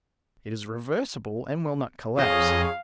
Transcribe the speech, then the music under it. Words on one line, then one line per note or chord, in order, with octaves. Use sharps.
It is reversible and will not collapse.
F2 G#4 C#5 D#5 F5